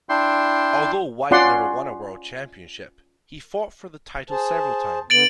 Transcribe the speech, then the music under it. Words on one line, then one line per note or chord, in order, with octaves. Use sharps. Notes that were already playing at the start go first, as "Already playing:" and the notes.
Although White never won a world championship, he fought for the title several times.
D4 E4 G5 C6
C#4 F4 D5 F#5 C6
G#4 C5 A5
D3 B3 A6 D7 F#7